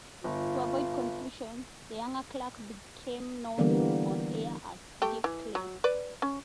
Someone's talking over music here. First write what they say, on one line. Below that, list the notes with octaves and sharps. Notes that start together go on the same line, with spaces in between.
To avoid confusion, the younger Clark became known on-air as "Dick Clay".
G1 F4
D3 E3 G3 A#3 B3
A3 G4 G5
E3
F#3
B4 D5
C#4